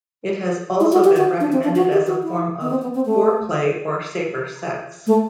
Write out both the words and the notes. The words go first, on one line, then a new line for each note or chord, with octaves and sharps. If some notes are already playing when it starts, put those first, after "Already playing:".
It has also been recommended as a form of foreplay or safer sex.
E4
F#4
G4
F#4
D4
C4
D4
F#4
G4
F#4
E4
B3
C4
B3
C4
A3
A3